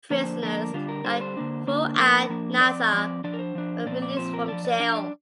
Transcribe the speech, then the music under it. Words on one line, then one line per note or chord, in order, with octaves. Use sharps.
Prisoners, like Fu'ad Nassar, were released from jail.
D3 F3 A#3 D4 C5
D3 F3 A#3 D4 A#4
D3 G3 D4 F4
A#4
D3 G3 D4 C5
C5
D3 A#3 D4
D3 A#3 D4
F3 A#3 D4 A#4
F3 A#3 D4
F3 C4 D5
F3 C4 D5
F3 D4 D5
A#4
C5
F3 D4
A#2 F3 C4 D5
D5
A#2 F3 C4 C5
A#4
F3 D4 D5
D5
F3 D4 F5
D5